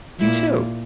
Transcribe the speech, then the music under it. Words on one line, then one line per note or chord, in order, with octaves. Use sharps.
You too.
A#2 E4